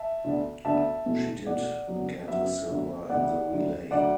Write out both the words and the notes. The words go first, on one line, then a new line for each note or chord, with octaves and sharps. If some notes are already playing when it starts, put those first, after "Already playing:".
She did get a silver in the relay.
Already playing: E5 A5
D2 D3 B3 D4
D2 D3 B3 D4 E5 A5
E2 B2 A3
E2 B2 A3 D5 F#5
F#2 F#3 B3
F#2 F#3 B3 B4 E5
D2 D3 B3
D2 D3 B3 D5 F#5
D2 D3 F#3 D4
D2 D3 F#3 D4 D5 F#5